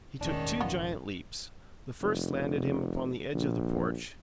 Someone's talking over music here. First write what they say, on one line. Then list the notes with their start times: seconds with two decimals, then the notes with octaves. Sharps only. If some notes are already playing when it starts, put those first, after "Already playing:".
He took two giant leaps. The first landed him upon the edge of the porch.
0.21 E1 A1 G#2 D#3 C#4 D4
0.61 B3 F4
2.02 F1
3.34 A#1